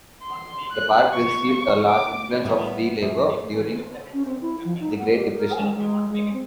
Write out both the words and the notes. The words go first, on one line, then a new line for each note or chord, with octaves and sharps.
The park received a large influx of free labor during the Great Depression.
C6
F#6
C#6
D6
A2 G3 A#3 B3
F#2 A#2
C#4
C4
E4
F3
D#4
F#5
G4
A#4
G#3
G#3
G#3
C4